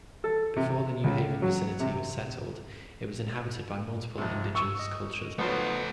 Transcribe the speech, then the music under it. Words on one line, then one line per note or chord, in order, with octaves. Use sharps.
Before the New Haven vicinity was settled, it was inhabited by multiple indigenous cultures.
A4
C3
C#2
F#3
C3
F2 C3
C#6 E6 E7
D#5
F2 F#3 A3 B3 C5